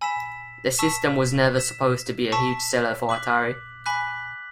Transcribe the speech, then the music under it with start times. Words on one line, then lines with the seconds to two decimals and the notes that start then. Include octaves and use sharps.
The system was never supposed to be a huge seller for Atari.
0.01 G#5 B5 E6 B6 E7
0.78 A5 C#6 E6 B6 E7
1.55 E6 B6 E7
2.32 A5 C#6 E6 B6 E7
3.09 D6 F#6 B6 F#7
3.86 G#5 B5 D6 F#6 B6 F#7